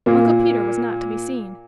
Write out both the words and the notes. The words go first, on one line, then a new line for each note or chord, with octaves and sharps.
Uncle Peter was not to be seen.
A#2 A#3